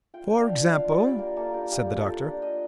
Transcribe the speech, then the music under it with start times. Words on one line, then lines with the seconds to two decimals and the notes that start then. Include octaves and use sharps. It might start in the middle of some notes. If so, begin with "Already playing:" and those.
"For example?" said the Doctor.
0.14 F4 G5
0.27 D4 G5
0.40 F5
0.49 D4 G5
0.66 D4 F5
0.84 F4
0.92 D5
1.02 G3
1.19 A#3 A#4
1.36 A#3 A4
1.54 D4 G4
1.72 A#3 G4
1.89 A#3
1.98 A4
2.07 F4
2.24 D4 A#4
2.42 D4 D#5